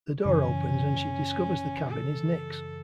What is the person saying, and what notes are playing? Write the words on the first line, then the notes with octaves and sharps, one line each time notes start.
The door opens and she discovers the cabin is Nick's.
F#2 C#3 E3 C#4
A4